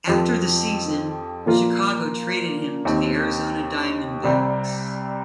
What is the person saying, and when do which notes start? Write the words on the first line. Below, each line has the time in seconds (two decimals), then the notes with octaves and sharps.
After the season, Chicago traded him to the Arizona Diamondbacks.
0.07 F2 F3 C4 G4
1.46 A#2 F3 A#3 F4 A#4
2.85 D#2 D#3 C4
4.24 C2 C3 G3 C4